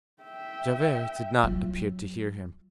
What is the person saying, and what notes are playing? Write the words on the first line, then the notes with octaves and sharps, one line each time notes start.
Javert did not appear to hear him.
E5 G5
F#3 F4